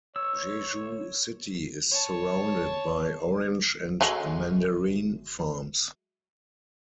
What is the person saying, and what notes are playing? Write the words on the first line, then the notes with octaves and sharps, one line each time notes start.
Jeju City is surrounded by orange and mandarin farms.
C#5 E6
C#5 A5
F#3 G#3 A3